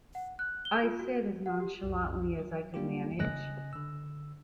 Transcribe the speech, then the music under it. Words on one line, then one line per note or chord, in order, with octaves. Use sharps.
I said, as nonchalantly as I could manage.
F#5
F#6
G7
F4
F#4
F#5
G4
B1 F2
F#3
F#3 G3 A#3 D4 F4 G4
C#3 D#5 G#5 F#6 A#6
D3 E6